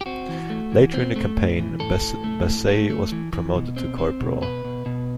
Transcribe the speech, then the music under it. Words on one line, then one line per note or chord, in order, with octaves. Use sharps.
Later in the campaign, Bassett was promoted to corporal.
G4
C4 F#4
E3
A3
E3
C4
A3
A2
E3
A2 A4
A2
A3
A2
A3
A3
E3
E3
B2
C4
C4
B2
B2 B4
B2
B2